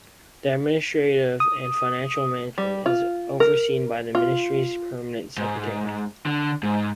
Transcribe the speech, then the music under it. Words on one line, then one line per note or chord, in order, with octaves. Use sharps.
The administrative and financial management is overseen by the ministry's permanent secretary.
D#6
G3
F4
A#4
F4
G#2
D3
G#2